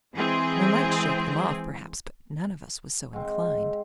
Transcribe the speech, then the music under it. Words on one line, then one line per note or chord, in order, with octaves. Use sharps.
We might shake them off, perhaps, but none of us was so inclined.
E3 G#3 C4 G#4
G#2 C4